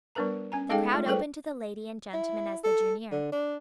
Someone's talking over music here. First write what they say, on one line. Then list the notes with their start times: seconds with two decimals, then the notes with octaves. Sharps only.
The crowd opened to the lady and gentleman as they drew near.
0.15 G3 B3 D4 A#4 B4 A#5
0.52 C#4 G#5 A#5
0.70 G#3 D#4 G#4 A4 F5 G5
0.93 A3 F4
1.07 G3 G#4 A4 B4 C5 G5
2.14 E4
2.64 A4
3.12 D3
3.32 D4